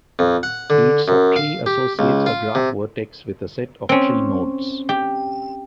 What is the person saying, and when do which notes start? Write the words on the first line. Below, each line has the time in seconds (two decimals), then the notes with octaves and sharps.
Each subtree associates a graph vertex with a set of tree nodes.
0.19 F2
0.43 F#5
0.70 D3
1.08 F#2
1.36 F5
1.66 G4
1.99 C#2
2.26 F4
2.55 C3
3.89 C4 C#4
4.89 G4